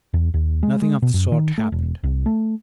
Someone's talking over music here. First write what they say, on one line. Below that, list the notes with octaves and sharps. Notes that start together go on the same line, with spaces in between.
Nothing of the sort happened.
E2
D#2
G#3
G#3
B2
F#2
D#3
A3
E1
C2
A3